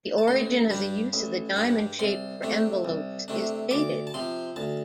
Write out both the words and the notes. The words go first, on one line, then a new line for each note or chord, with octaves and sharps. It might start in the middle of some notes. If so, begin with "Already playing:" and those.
The origin of the use of the diamond shape for envelopes is debated.
A5
A1 C6
G2 G3 D4
A1
G2 G3 D4
C2 C6
C3 A3 D4
C2
C3 A3 D4
D2 D6
A5
C3 F3 C6
D2 A5